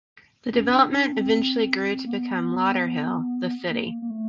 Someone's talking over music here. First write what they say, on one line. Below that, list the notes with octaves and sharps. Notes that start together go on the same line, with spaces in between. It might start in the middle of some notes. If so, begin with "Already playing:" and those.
The development eventually grew to become Lauderhill, the city.
C#4
D4
D4
C4
A#3
B3
A#3
A#3
A3